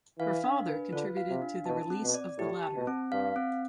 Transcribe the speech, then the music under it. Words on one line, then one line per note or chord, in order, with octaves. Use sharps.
Her father contributed to the release of the latter.
E3 F5
D4
B4
D3 F4
F5
C3
D4
B2 A5
C4
B2
D5
A2 G4
A5
B2
C4
G2 F5
C4